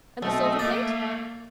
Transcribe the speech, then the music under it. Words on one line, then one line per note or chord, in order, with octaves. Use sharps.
"And the silver plate?"
B1 A3 C4 D#5
A#3 D5